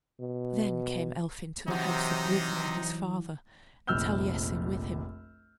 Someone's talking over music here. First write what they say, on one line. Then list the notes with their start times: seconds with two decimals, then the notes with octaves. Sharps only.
Then came Elphin to the house of Gwyddno, his father, and Taliesin with him.
0.21 B2
1.68 C3 E3 F#3 D#4 F#5
3.88 F1 A#1 E6 F6 G6 G7